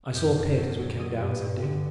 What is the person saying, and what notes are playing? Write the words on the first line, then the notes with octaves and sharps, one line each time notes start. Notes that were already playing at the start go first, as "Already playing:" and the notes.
"I saw a pit as we came down," said Dick.
F#2 G6
F#2
F#3
F#3
F#3 D#6
G2
G2
D3